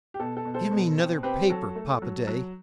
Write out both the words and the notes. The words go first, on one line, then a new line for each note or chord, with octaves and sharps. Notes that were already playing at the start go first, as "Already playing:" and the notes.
"Give me 'nother paper, Papa-day."
G4
B2 A4
A4
B2
A4 C5
B2
C4
C4 G4 B4
F#3 A4
A3
F#3
F#3